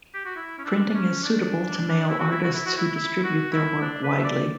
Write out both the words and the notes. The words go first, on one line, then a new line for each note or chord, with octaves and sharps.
Printing is suited to mail artists who distribute their work widely.
G4
F#4
E4
C#4
D4
D4
C#4
D4
E4
F#4
E4
F#4
E4
F#4
E4
E4
F#4
E4
D4
B4
E5
D5